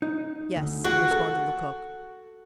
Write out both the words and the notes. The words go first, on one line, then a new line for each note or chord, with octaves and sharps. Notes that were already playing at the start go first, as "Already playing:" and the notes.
"Yes," responded Lecoq.
D#4
D2
F4 F#4 G#4 G5
A4